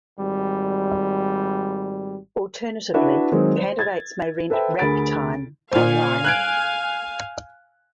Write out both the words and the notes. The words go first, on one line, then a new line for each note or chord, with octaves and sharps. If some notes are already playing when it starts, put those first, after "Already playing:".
Alternatively, candidates may rent "rack time" online.
G#1 G3
D4 E4 F#4 B4 E5
D#3 F#3 G#3 C4 C5
C5
G#6 A6
A4 B4 C5 E5 G5
D2 G#4 A#4 B5 A6 D7
A#2 C5 F5 G#5
F#6 G#6 D7